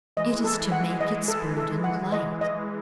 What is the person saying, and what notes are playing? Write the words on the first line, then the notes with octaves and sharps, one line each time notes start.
It is to make its burden light.
E3 G#3 D#5
A4
F#5
D#5
A4
A4
F#5
D#5
D#5